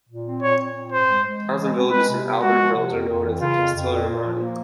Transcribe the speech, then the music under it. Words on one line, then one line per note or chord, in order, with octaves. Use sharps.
The towns and villages in the Alban Hills are known as the Castelli Romani.
A#2
C4
A#2 C#5
A#2
C4
G#2 C5
G#3
G#3
E3
G#3
C4
G#3 B4
C3
B3
G#3 F#4
F3
C3
F2
F2
E3
C#3 F4
F2
F2
A#2
A#2
F3
A#3